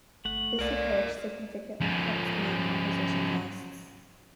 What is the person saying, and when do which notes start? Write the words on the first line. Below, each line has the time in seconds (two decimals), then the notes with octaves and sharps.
This approach significantly cuts land acquisition costs.
0.25 G1 A3 F#5
0.59 C2 A#4 D5
1.81 F3 C#4